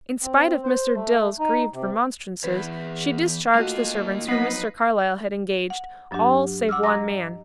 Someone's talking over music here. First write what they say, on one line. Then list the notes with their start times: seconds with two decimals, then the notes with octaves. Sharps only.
In spite of Mr. Dill's grieved remonstrances, she discharged the servants whom Mr. Carlyle had engaged, all save one man.
0.23 C4
0.63 C5
0.95 A3
1.39 D#4
1.73 C3
2.44 E2 B4
3.55 A3 A#3 F4 F#4 D#5
4.28 F3 F#3 B3 D#4 B4 A#6 C7
5.70 F#5
6.11 G2 F#3 D4 G4 F#5
6.69 F#5 D6 E6 F6
6.83 D#5 A#5 D6 A#6